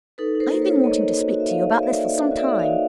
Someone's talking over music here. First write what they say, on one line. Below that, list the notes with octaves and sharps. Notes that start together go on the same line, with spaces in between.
I have been wanting to speak to you about this for some time.
D#4 A4 B4
D#4
A#4 C5
A#3
B4 C#5
A#3
A#3 C#5 D#5
D#4
F#4
F#4
E5
F#4 D#5 F5
A#3
A#3 D5 E5
A#3
A#3
F#4
D5 E5
D#4
D#5 F5
F#4